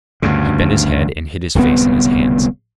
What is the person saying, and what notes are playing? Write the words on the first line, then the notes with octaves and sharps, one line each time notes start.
He bent his head, and hid his face in his hands.
D2 G2 C#3
D1 C2 C#3 B3